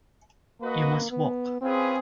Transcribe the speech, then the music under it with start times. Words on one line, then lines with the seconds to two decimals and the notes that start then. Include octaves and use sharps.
You must walk.
0.60 A#3 F#4 B4 D#5
1.11 B3
1.61 C4 C#4 F4 G#4 B4